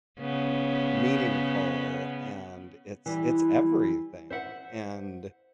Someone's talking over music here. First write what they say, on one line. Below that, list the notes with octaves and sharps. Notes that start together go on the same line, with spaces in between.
meaningful, and it's it's everything, and
C#3 B3
E3 G3
C5 E5 F#5